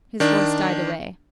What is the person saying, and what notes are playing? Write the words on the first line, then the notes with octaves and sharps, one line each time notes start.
His voice died away.
D#3 D4